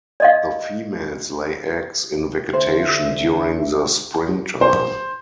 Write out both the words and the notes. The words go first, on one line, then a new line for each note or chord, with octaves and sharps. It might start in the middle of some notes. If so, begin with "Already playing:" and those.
The females lay eggs in vegetation during the springtime.
D5 D#5 F5
D3 C5 E5
C5